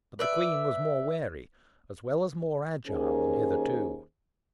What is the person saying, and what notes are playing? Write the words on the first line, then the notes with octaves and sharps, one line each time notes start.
But the queen was more wary as well as more agile than hitherto.
B4 D5 E5
D#2 C#4 G#4 A#4 C5